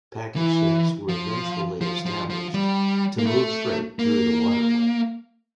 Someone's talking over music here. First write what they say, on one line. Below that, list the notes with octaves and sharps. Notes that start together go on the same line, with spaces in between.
Packet ships were eventually established to move freight through the waterway.
E3
F3
F3
F3
F3
G3
A#3
A3
A#3